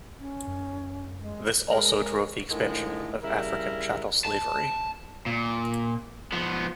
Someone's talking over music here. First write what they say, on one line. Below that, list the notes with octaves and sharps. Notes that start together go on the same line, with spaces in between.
This also drove the expansion of African chattel slavery.
C#4
F#2
G#3
G#3 A#4
A2 D3 D#3 F3 G#3
C#3 G3 E4 A#4
A5
A#2
F3 B3